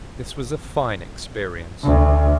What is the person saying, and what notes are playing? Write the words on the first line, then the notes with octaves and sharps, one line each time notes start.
This was a fine experience.
D2